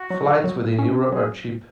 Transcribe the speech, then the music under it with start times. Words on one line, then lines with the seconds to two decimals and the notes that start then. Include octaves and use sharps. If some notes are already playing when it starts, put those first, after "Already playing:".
Flights within Europe are cheap.
Already playing: F#4
0.10 F#3
0.44 F#3
0.79 C#4
1.08 A4
1.12 F#3 G#4